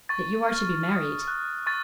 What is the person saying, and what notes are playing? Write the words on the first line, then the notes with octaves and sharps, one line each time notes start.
'That you are to be married.
C#6 A6
F6
D#6
F#6
C#6 A6